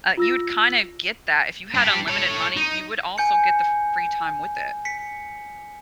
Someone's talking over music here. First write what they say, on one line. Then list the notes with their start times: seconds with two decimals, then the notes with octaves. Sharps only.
uh, you would kinda get that if you had unlimited money, you would also get the fr free time with it
0.17 F4 E6 A#6
1.74 G3 D4
2.07 A4 C#5
2.56 D#4
3.18 G#5 G6 C#7
4.85 B6 C#7